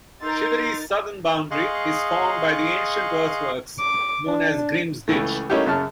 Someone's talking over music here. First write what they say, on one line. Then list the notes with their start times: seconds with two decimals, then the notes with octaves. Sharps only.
Chivery's southern boundary is formed by the ancient earthworks known as Grim's Ditch.
0.22 D#4 A#4 C6 E6 G6 A6
1.51 G#4 D#5 F5 C6 C#6 F#6
3.78 D6
4.26 D4
5.08 C#2 E3 A3
5.50 A3 A#3 C#4 D#4 E4 G4
5.66 F#2 C#3 A5 F6